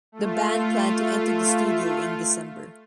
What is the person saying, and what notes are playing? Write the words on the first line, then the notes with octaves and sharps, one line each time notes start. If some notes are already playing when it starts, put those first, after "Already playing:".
The band planned to enter the studio in December.
A3 F4